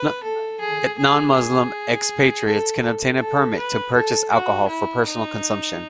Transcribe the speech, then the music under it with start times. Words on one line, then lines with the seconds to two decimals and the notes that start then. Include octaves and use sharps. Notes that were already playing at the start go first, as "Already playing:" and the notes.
Non-Muslim expatriates can obtain a permit to purchase alcohol for personal consumption.
Already playing: B4
0.23 A4
0.60 G#4
0.98 G#4
1.34 G#4
2.47 A4
3.20 A4
3.58 B4
3.94 A4
4.31 F#4
4.68 E4
5.06 D#4